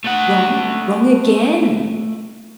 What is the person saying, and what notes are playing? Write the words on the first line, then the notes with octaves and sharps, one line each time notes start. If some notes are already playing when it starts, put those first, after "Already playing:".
'Wrong, wrong again.
A3 F#5